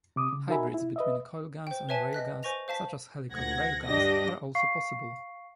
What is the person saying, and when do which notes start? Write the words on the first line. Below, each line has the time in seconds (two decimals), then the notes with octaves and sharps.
Hybrids between coilguns and railguns such as helical railguns are also possible.
0.16 C3 D6 D#6
0.33 C#3
0.49 D#4 F#4 A#4 E5 G#5 B5
0.74 E4
0.96 B4 D#5 E5
1.67 C5 G5
1.89 B4 C#5 E5 G#5 A5
2.13 D#5 F#6 B6
2.43 C5 G#5 C#6 A#6 F7
2.68 C5 F5 A5 B6
3.32 D2 F#5 G#6 A#6
3.84 G2 D4 G4 D#5 A#6
4.55 F5 C#6 C7